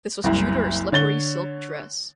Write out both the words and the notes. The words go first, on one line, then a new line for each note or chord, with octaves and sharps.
This was due to her slippery silk dress.
F#1 C2
D3 C#5 A6 G7